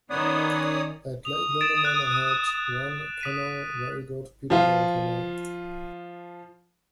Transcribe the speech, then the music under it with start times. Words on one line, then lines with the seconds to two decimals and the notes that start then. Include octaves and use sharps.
At Lake Linderman I had one canoe, very good Peterborough canoe.
0.10 D#3 B3 C#4 D#4 C#5 D5 D#6
1.25 D#6 F7
1.61 A6 D7 E7
1.85 F#6
3.21 D#6 B6 D#7
4.50 F3 F4